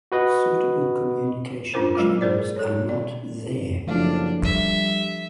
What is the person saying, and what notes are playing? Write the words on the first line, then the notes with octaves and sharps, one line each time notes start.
Suitable communication channels are not there.
F#4 B4 D#5
C#4 D4 F4 A#4 C5
F#3 G#3 F4
G#4 A#4 C5 D5
A4 C#5
D5
F#1 F3 A3 D4 F5
G3 E5